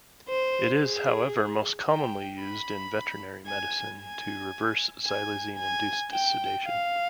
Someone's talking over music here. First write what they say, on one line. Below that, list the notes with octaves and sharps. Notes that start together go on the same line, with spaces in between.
It is however most commonly used in veterinary medicine, to reverse xylazine-induced sedation.
C5
G#4
G5
B5
G#5
G#5
G#5
G#5
G5
F5